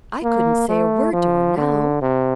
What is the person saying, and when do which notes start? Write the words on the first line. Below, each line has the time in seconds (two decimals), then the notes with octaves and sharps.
"I couldn't say a word to her now."
0.23 A#3
0.69 A3
1.13 F3
1.58 D3
2.02 C3